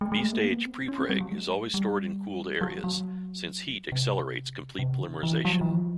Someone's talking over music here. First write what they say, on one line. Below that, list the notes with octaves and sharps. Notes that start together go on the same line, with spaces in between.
B-Stage pre-preg is always stored in cooled areas since heat accelerates complete polymerization.
G#3
G#3
A3
A#3
B3
C4
C#4
C4
G3
F#3
G#3
G3
F#3
F#3
C3
C3
D3
E3
F#3
F3
E3
F3